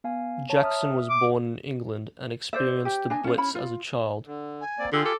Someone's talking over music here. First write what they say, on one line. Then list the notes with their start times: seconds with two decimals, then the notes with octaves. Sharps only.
Jackson was born in England and experienced the Blitz as a child.
0.04 B3 F5 G#5
0.50 C#5 A5 A#5
0.62 E5 D#6 F6
1.10 D6
2.53 C5 D5 E5
2.85 G4
3.10 D4 D#5 G#5
3.24 C#4 F4
3.38 C#4 E4 B5
3.55 F4
4.26 D3
4.61 G#5
4.79 A#3 C4 D5
4.93 D3 F4 G4 G#4 E6
5.05 A4 D6